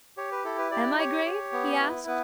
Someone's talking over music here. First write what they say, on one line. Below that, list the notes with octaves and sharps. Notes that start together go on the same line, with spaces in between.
"Am I grave?" he asked.
G4 C#5
B4
E4 A4
B4
G4 D5
G4 C#5
G4
B3
E4 B4
B3 B4